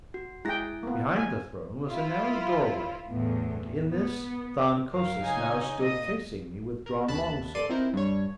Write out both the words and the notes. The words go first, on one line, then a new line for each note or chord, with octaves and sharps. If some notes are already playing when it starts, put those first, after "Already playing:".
Behind the throne was a narrow doorway and in this Than Kosis now stood facing me, with drawn long-sword.
F#4
G#3 E4 G#4 G5 A#6
A#3 B3
G#5
E4 F4
E2 A2
B3
F#2 A#4 F5
C#3 D#4 G#5
A#2 D#5 D#6
A#4
D#2 A5 B5 F#6
A4 D5 C6 D#7
C4 D#4 E4 A#4 C5
G2 C#5